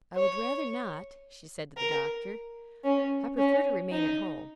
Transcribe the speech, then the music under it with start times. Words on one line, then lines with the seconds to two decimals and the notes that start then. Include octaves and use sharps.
'I would rather not,' she said to the Doctor. 'I prefer to remain at home.
0.16 C#5
1.77 A#4
2.84 C#4
3.38 C#4
3.92 D#4